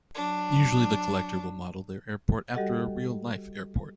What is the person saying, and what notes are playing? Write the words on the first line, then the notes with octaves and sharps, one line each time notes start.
Usually, the collector will model their airport after a real life airport.
F#3 D4
G3 F#4 G4 A4 D#5 F#5